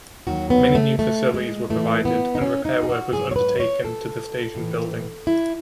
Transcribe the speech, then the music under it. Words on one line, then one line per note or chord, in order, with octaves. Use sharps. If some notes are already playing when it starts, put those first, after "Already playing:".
Many new facilities were provided, and repair work was undertaken to the station building.
D#2 D#3 F#3 F#4
B3
A3
A3
G#3
A2 E3 A3
B3
D#4
C#4
D#4
G#4
F#4
G#2 F#3 G#4
C#5
B4
C#5
A4
A2 E3
E4